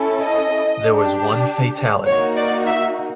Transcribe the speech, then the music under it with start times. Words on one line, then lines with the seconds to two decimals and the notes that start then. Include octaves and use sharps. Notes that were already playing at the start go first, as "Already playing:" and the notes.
There was one fatality.
Already playing: C#4 E4 A4
0.23 D#5
0.84 D4 G4
2.06 A#3 D#4 F#4 C#5
2.36 D5
2.67 E5